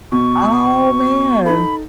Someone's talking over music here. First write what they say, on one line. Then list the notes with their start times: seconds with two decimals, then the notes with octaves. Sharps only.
Oh, man.
0.12 B2 C#6
1.45 D#4 A4 B5